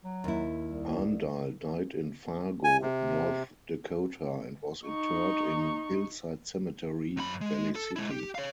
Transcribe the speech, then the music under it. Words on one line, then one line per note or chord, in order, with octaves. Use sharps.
Aandahl died in Fargo, North Dakota and was interred in Hillside Cemetery, Valley City.
F#3
D#2 E4
C2
G#5
C3
D#4 C#6
F#2 B5
G#3
A4
G#3 E4
G4
C#5 F5